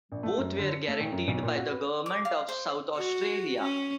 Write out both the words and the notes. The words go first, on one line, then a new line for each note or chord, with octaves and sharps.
Both were guaranteed by the Government of South Australia.
A#1
A3
F#2
D3
C#7
A3
D#1
F#2
B1
A#2
F#4
B4
D6
F5
C5
F#4
C#4